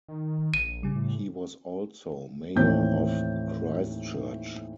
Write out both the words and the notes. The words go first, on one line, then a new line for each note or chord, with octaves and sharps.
He was also Mayor of Christchurch.
D#3
A#1 D#7
C#3 G3
A2
D#2 A2 E3 C4 C#5 G6